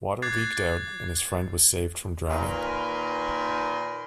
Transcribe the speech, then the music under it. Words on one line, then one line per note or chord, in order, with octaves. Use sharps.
Water leaked out, and his friend was saved from drowning.
D6 F#6 G#6 A6 C7
A#2 D#3 A#4 B4 G#5 C6